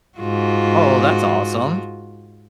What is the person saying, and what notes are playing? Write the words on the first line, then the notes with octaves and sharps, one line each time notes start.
Oh, well that's awesome.
G#2 F4 F#4